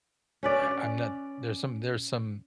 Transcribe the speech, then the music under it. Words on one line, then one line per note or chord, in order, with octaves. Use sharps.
uh, I'm not there's some there's some,
C#4 B4 D5